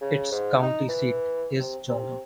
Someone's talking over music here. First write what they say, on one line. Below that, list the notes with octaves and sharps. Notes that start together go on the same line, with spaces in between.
Its county seat is Jordan.
C#3
G#2
D#4
E3
C3
C3